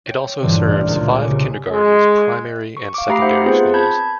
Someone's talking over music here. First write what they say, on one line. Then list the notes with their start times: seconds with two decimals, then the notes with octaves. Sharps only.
It also serves five kindergartens, primary and secondary schools.
0.06 C#5 G5
0.41 G2 A#2 D3 E3 G3 C4
0.65 A1 A2 F6
0.87 C#2 A#2
1.12 C#5 G#5 C#6 D6
1.26 C2 C#3
1.70 G#3
2.77 C#6
2.94 F5 D6
3.08 A3 G4 A#5 B5 C7
3.22 D#4 C5 E5 F#5
3.44 B3 C4 F4 G#4 B4 C5
3.74 A5 B5 G6 G#6